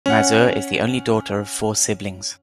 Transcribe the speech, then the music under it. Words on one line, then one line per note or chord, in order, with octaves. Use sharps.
Mazur is the only daughter of four siblings.
C#4 F#5